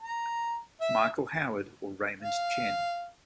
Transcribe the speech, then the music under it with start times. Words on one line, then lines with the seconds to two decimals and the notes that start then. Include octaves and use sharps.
Michael Howard or Raymond Chen.
0.02 A#5
0.81 E5
2.23 F5